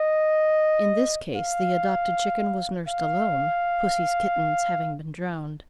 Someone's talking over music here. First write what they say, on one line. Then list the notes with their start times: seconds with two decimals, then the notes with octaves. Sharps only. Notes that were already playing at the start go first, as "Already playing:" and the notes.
In this case the adopted chicken was nursed alone, pussy's kittens having been drowned.
Already playing: D#5
1.35 F5
2.88 F5